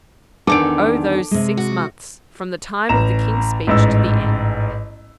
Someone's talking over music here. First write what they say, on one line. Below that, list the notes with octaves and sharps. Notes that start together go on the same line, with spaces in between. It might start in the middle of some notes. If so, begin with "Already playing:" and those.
Oh, those six months, from the time of the King's speech to the end!
E2 D3 D#3 A4 D6 D7
C3 G#3
F#4
A1 A#5 E7
A1 G#2 E6